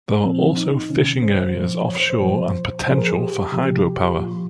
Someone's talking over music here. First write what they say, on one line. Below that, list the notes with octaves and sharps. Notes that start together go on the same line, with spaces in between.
There are also fishing areas offshore and potential for hydropower.
A#2 F3 C4
D#4
C3 D#3 C#4
C5
A#2 F3
C#5
C5
C5
A#2 F3
A#2 F3 C5
G#4
A#4
G#4
G4
C3 F3 G4
G4
G4
A#2 F3 F4